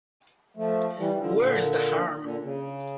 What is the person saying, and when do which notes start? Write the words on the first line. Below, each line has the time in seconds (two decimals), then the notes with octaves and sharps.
Where's the harm?
0.57 F3 A3
0.98 E3 G3
1.14 E3
1.18 D3 F3
1.39 A#2 D3
2.21 A#2 D3
2.42 C#3